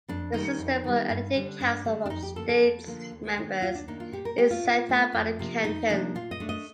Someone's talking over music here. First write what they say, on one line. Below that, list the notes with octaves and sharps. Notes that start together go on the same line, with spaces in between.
The system for electing the Council of States members is set out by the cantons.
F2 D4
D#3 G3 D#4
F2
D#3 G3
G2
D3 G3 D4
G2 D4
D3 G3 D4
D4
F2 D#4
G4
D3 F3 A#3 A4
A4
F2
D3 F3 A#3
D#2
D#3 A#3 D4
D#2 F4
D4
D#3 A#3 D4 D#4
F4
A#2 G4
A#4
A3 C4 G4
F4
A#2
A3 C4
F2
C3 F3 A#3 D4
F2 D#4
C3 F3 A#3 D4
A#2 F4
D#5
A3 D4
D#5